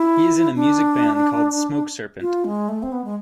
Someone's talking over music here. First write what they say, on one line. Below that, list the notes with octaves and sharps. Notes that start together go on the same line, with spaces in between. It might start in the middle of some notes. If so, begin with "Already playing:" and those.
He is in a music band called "Smoke Serpent".
Already playing: E4
D4
F4
G#3
A3
C4
B3
G#3